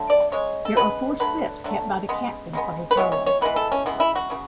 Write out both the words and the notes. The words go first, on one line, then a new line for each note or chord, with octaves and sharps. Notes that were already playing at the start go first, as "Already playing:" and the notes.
There are four slips kept by the captain for his bowling.
Already playing: D3 F#3 A3
D5
C#3 G#3 C#5
A4
C#3 G#3 B3 B4
D3 F#3 A3 B4
D3 F#3 A3
C#3 G#3 B3
C#3 G#3 B3
B4
E3 G#3 B3 C#5
C#5
C#5
E3 G#3 B3 B4
A4
C#4
C#3 E3 G#3 B3
E4
F#4
C#3 E3